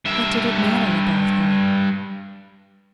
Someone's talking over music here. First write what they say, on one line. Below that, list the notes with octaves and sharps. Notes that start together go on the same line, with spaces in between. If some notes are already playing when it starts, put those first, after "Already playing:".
What did it matter about her?
G2 E5